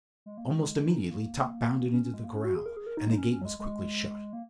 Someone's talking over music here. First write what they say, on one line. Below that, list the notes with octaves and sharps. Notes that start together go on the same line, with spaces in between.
Almost immediately Top bounded into the corral, and the gate was quickly shut.
G#3
A#3
G#3
D#4
C#4
A#3
C#4
C#4
G#3
A#3
C#4
F#4
G#4
A#4
G#4
A#4
D#4
G#3
D#4
C#4
C#4
F#3
G#3
G#3
A#3